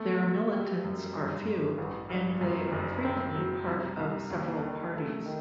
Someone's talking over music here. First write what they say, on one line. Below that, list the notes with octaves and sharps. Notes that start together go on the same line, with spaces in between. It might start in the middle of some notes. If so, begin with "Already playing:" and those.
Their militants are few, and they are frequently part of several parties.
Already playing: A3 B3
F#3
G3
F#2
G2
G2
A1
G2
F#2
F#1
C4
F#3
C2
C2
D#2
D#3
A3
D#3